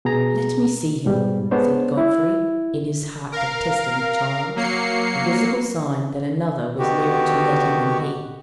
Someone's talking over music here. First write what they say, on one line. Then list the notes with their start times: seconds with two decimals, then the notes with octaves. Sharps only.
"Let me see him," said Godfrey, in his heart detesting the child--the visible sign that another was nearer to Letty than he.
0.05 B2 G#4 A#5
1.06 G#2 B2 G3
1.51 G#3 B3 D4 C5 C#5
1.97 E4
3.32 A#4 F5
4.56 F#3 A#3 C7 C#7
6.79 D3 D#3 B3 F#4 G4